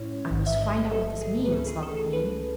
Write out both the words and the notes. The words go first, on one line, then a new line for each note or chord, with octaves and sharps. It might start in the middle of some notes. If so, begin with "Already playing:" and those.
'I must find out what this means,' thought the queen.
Already playing: A2 G#3 C#4 E4 C#5
A1 G#2 D#3
E5
D#5
D#5
A4
G#4
B4
C#2 C#3 E3 A3 C#4 A4
G#4
A4
A4
B4